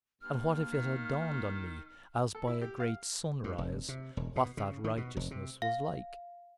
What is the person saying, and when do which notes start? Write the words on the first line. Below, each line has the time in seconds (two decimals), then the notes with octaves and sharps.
And what if it had dawned on me, as by a great sunrise, what that righteousness was like?
0.21 G2 A#3 F6
0.72 D#3
2.35 A4
2.47 E4
2.61 G4
2.80 F5
3.44 G2
3.58 F1
3.89 C3
4.17 E1
4.36 B2
4.57 C#3
4.84 D#3
4.97 B2
5.17 F1
5.31 C3
5.62 F5